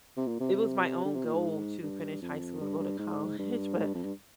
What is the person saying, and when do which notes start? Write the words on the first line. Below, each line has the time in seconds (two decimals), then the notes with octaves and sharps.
it was my own goal to finish high school, and go to college. But
0.17 C3
0.27 A#2
0.40 C3
0.53 C3
1.05 D3
1.15 C3
1.25 A#2
1.34 G#2
1.83 G2
2.22 F2
2.60 G2
2.79 G2
2.99 G#2
3.39 G2
3.77 G#2
3.86 G2
3.94 F2
4.03 G2